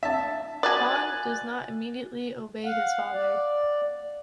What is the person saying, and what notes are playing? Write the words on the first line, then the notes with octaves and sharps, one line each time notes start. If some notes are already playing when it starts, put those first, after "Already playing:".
Juan does not immediately obey his father.
E5 A5
F#4 D5 G#5 F#6 A6
F5 F#5
D5